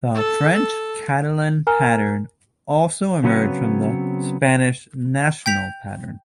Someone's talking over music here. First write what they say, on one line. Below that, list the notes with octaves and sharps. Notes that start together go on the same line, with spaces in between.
The French Catalan pattern also emerged from the Spanish National pattern.
A4
A4
A#4 G#5 A#5 F6
C#3 F#3 B3 C4 B4 C#5
G5 G6 B6 F7